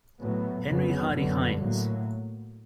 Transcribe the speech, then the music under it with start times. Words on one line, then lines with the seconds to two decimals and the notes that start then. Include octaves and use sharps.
Henry Hardy Heins.
0.21 A2 F#3 B3
0.67 F2 C#3 F#3 B3
1.13 F#2 D3 F#3 B3
1.59 A2 F#3 A#3